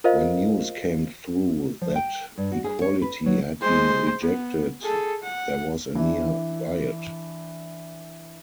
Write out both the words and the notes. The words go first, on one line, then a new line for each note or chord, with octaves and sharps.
When news came through that equality had been rejected there was a near riot.
F4 A#4 C5 D#5 F5
F3
G5
G2
F#4
G#4
C#5
B4
F#3
G#3 C5
B3
G#4 A4
F#5
E3 D4 E5